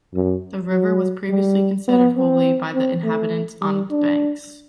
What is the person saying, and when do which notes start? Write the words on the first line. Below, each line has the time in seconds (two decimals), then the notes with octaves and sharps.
The river was previously considered holy by the inhabitants on its banks.
0.14 F#2
0.72 F#3
1.30 G3
1.88 B3
2.17 C4
2.74 C4
3.03 A3
3.61 G3
3.91 D4